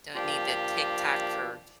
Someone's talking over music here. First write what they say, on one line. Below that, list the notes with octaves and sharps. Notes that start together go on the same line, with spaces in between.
don't need the TikTok for
F3 A#3 D4 G4